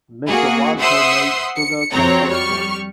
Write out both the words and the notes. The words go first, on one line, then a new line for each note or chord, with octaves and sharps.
Mr Walther made sugar confections.
A#3 F#4 G#4
C5 E5 F#5 C6 D#6 E6
C#7
F2 C4 F#4 C#5 A#5
G3 C#6 F6